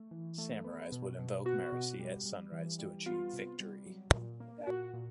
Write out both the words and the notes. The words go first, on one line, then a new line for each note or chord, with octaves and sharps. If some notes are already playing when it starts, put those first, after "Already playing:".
Samurai would invoke Marici at sunrise to achieve victory.
Already playing: A3
E3
A3
B3
B2
B2
B3 F#4
B2
G3
G3
E3
G3
B3 F4
C3
G3
F#3
A#2
A#3
A#2 F#4
A#2